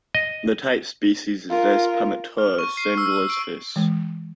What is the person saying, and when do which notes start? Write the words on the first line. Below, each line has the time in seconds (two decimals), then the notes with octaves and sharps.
The type species is "S. praematura", Schindler's fish.
0.15 D#5
1.50 F4 A#4
2.38 F6
2.59 C#6
2.77 C7
2.98 E6
3.30 D7
3.76 E3 G#3